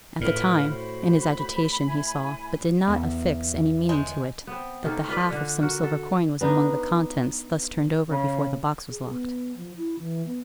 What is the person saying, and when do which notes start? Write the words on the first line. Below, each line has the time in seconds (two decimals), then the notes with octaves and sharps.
At the time, in his agitation, he saw, but did not affix any meaning to it, that the half of some silver coin was among the contents thus turned over before the box was locked.
0.21 A2 F4 B4 F6
0.69 F#4 C5 B5
1.85 E4 G#5
2.87 E2 B3 F5
3.89 D3 G#3 D#5 G6
4.47 B3 C4
4.84 D#3 G#3 A#3 A4
5.08 F4 B4 D5 D#5
5.29 D3 D4 A4
5.61 F#4 A#4
5.83 A4
6.41 B3 D4 D#4
8.09 C#3
8.89 G#4
9.09 B3
9.57 F3
9.76 E4
9.99 E3
10.27 B3